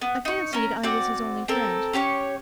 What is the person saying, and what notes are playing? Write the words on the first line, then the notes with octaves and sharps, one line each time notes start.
I fancied I was his only friend.
B3
D#4 C#6
C#4 A#4
C4 F#4 D5
C4 A4 A#4
C#4 G4 C#5 C#6